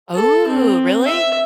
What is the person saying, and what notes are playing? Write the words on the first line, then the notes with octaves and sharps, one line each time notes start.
Ooh, really?
A4
C4
E5